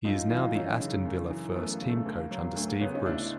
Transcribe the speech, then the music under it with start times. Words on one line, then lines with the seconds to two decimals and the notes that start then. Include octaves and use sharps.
He is now the Aston Villa first team coach under Steve Bruce.
0.04 F#2 D#4 F4
0.30 E3 D#4 F4
0.55 F#2 C#4 D#4
0.80 C#3
1.05 F#2
1.30 E3
1.56 F#2 A3 B3
1.72 A#3
1.80 C#3
1.89 A3
2.05 D2 A#3
2.31 F#3 A#3
2.56 D2 A3
2.68 A#3
2.81 C#3 B3 C#4
2.95 C#4 D#4
3.06 D2 D4 E4